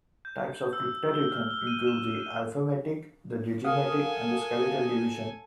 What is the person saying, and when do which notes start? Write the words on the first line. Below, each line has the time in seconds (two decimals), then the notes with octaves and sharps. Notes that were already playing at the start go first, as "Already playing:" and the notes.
Types of cryptarithm include the alphametic, the digimetic, and the skeletal division.
0.25 G6
0.73 E6
1.14 G7
1.31 F6
1.51 G7
1.67 D#7
1.87 E7
2.20 D#7
3.64 A4 A#4 F5 F#5 G#5 D#6